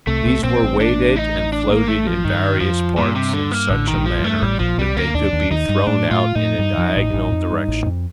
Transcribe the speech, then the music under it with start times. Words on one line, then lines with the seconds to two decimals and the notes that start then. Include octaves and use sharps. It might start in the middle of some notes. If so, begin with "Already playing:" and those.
These were weighted and floated in various parts in such a manner that they could be thrown out in a diagonal direction.
0.07 C2 C3 A3
0.25 C2 C3
0.43 A#1 A#2 C4
0.62 A1 A2
0.80 D4
1.16 D#4
1.53 D4
1.70 A#3
1.88 A3
2.07 F3
2.24 G2 D#3
2.60 F2 F3
2.97 G2 A#2
3.15 C3
3.34 D3
3.52 A#3
3.69 A1 A2 D3
3.87 D#3
3.93 A#1 A#2
4.06 F3
4.18 G2
4.24 A3
4.42 A1 A2 G3
4.60 A#1 A#2 F3
4.78 C2 C3 G3
4.97 D2 D3 A#3
5.14 D#2 D#3 D4
5.32 D#2 D#3
5.50 D#2 D#3 D#4
5.69 G2 G3
5.87 A2 A3 D4
6.11 A2 A3 F4
6.35 A2 A3 D#4
6.59 G2 G3
6.77 F2 F3
6.96 A1 A2
7.14 A1 A2
7.32 F2
7.50 G2
7.68 A1 A2
7.86 F2